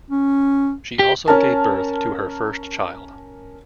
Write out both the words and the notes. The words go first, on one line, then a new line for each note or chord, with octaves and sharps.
She also gave birth to her first child.
C#4
G4
C#4 A#4 A5